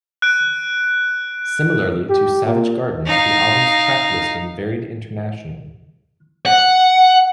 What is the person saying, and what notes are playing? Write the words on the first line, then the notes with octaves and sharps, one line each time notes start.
Similarly to "Savage Garden", the album's track listing varied internationally.
F#6 D7
G4
A#2
D#4 F5
F#5